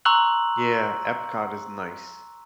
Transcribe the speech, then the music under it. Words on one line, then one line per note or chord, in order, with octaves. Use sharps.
Yeah, Epcot is nice.
A#5 C6 C#6 E6 F#6 F#7